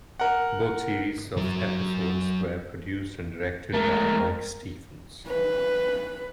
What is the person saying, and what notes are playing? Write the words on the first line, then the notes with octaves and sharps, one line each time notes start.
Both series of episodes were produced and directed by Mike Stephens.
A#4 F#5
F#3 A#4
G#3 A3 A#4
B4